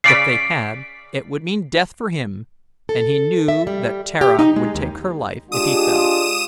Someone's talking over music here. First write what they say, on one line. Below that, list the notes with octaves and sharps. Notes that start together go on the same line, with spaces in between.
If they had it would mean death for him, and he knew that Tara would take her life if he fell.
C#3 D5 B6 C7 D7
A4
E5
G3
G4
D#4
G#3
D#2
G#3 D4 F4 G4 G#4 D#6 D#7 E7